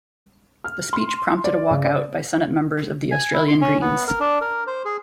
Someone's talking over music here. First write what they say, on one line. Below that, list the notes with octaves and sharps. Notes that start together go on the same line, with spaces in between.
The speech prompted a walk out by Senate members of the Australian Greens.
F6
C6
D5
C#3
D5
G#5
E4
C6
C#4
B3
A#4
D4
A#4
C5
G#4